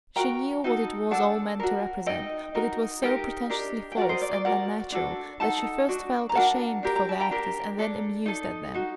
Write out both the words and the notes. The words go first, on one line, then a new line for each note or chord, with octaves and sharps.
She knew what it was all meant to represent, but it was so pretentiously false and unnatural that she first felt ashamed for the actors and then amused at them.
F#4 A#4 G5 A#5
D#4 F#4 A4
D4 A4 F#5 A5
F#4 A#4
D#4 A4 D#5 G5
D#4 F#4 A#4
D#4 G4 A#4 D#5 G5
D4 G4 A#4
G5
F#4 A#4 D5 F#5
C5 D#5
D5
D5
F#4 A#4 D5 F#5
D4 F#4 A4
D#4 A4 F#5 A5
D4 F#4
A#5
D4 F#4 A#4 F#5 A5
D4 G4 A#4
A#5
A5
G5 A#5
D4 G4 A#4
D4 A4
D#4 A4
D#4 F#4